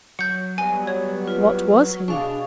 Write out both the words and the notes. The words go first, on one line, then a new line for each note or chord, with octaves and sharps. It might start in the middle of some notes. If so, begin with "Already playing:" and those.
What was he?
F#3 G6 C#7
G3 B3 G#5
C#5
F4 B4
B2 D4 G#4 F5 C#6